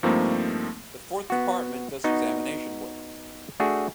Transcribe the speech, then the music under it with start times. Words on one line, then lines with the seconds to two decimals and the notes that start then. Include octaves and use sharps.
The Fourth Department does examination work.
0.03 G2 F3 A3 A#3 C4 D#4
1.30 B3 F#4
2.04 B3 D#4 F#4
3.60 A3 D4 F#4 G#4